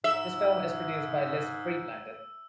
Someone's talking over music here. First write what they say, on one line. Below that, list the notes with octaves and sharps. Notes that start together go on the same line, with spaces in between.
This film is produced by Liz Friedlander.
G#2 E5 E6